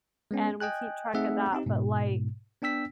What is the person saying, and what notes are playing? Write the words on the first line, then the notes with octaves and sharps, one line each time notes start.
and we keep track of that, but, like,
G#3 B3 C#4
D#5 G5 G#5 F#6
A3 C4 D#4 G#4 E5 F#5
C4 D#4 G4
G#2 B2
B3 D4 G5 E6 B6